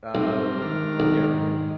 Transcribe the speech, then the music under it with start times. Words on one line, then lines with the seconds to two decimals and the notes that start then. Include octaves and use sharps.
Um, yeah.
0.15 B1 G3 C4 A#4
0.62 D#3 G#3 D4 A#5 F6
1.00 B1
1.30 G#2